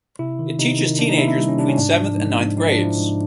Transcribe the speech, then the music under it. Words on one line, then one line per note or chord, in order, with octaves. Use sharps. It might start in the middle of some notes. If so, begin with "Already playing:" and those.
It teaches teenagers between seventh and ninth grades.
C3 E4
D#3
C3 D#4
D#3
A#3 D4
D#4
C3 E4
E4
G3
C#4
C3 D4
C#4
G#2 D4
F3
G#2
G#2
F3 D#4
D4
F3
E4
G#2